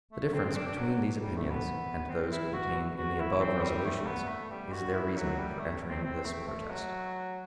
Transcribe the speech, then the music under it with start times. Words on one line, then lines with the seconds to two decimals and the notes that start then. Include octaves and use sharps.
The difference between these opinions and those contained in the above resolutions is their reason for entering this protest.
0.12 A3
0.34 C4
0.44 C4
0.56 D4
0.67 D4
0.77 F#3
1.21 G3
1.36 A3
1.51 B3
2.09 C4
2.31 E4
2.53 F#4
2.97 F#4
3.19 E4
3.41 C4
3.62 G3
3.85 A3
4.07 B3
4.28 A3
4.50 G3
4.72 F#4
4.94 E4
5.16 F#3
5.38 G3
5.59 A3
5.89 C4
6.04 C4
6.25 A3
6.47 A3
6.70 F#3